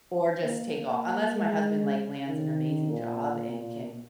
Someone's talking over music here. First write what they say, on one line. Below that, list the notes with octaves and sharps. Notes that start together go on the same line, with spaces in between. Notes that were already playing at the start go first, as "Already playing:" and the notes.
or just take off. Unless my husband, like, lands an amazing job and can
A#3
A#3
G#3
D#3
A#2
A#2